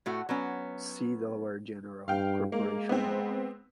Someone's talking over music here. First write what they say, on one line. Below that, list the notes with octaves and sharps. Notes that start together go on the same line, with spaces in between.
See Delaware General Corporation Law.
A2 A3 F#4
F#3 B3 C#4
G2 F5 G5
G#3 A#3
B3 C4